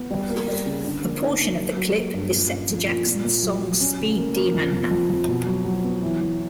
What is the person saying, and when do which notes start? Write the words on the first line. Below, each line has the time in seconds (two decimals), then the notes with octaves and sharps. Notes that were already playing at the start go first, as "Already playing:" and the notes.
A portion of the clip is set to Jackson's song Speed Demon.
Already playing: B3
0.11 G3
0.29 A#3
0.48 G3
0.66 C#3
0.84 D3
1.03 A#3
1.21 D#4
1.40 A#3
1.59 F#3
1.77 F#3
1.95 A#3
2.14 G2
2.32 A#2
2.50 C#4
2.69 F3
2.88 A#2
3.07 A#2
3.25 A#2
3.43 F#3
3.62 F#3
3.80 C#4
3.99 C#3
4.17 A#3
4.36 A#3
4.54 F2
4.73 F2
4.91 F2
5.10 F2
5.28 B2
5.46 F#3
5.65 F#3
5.84 B3
6.02 E3
6.21 E3